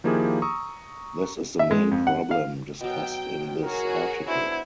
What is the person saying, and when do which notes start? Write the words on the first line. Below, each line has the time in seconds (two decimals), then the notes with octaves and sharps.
This is the main problem discussed in this article.
0.04 D#3 F3 A#3 E4 G4 G#4
0.42 A#5 C#6 D#6 E6
1.59 E5
1.71 G#3
1.91 F2
2.07 F#5
2.31 F5
2.81 B2 F#3 G5
3.64 F#4 G#4 A#4 C#5
4.28 B3 D4 E4 C5